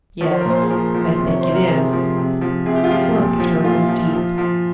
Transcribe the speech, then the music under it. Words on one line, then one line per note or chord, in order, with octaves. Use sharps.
"Yes, I think it is," his look at her was deep.
F3 C#5
C5
A#4
A#2 C5
G#4
F3 A#4
F3
C3
C#5
C3 C5
A#4
C3 G#4
F3
C3
F3
C3 G#4
G4
F4
F3 G4
A#2
F3
A#2 F4
F3
F3
F3